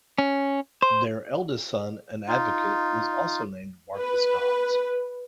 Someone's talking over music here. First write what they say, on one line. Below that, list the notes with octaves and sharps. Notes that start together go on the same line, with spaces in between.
Their eldest son, an advocate, was also named Marcus Dods.
C#4
C5
D#4 F4
B4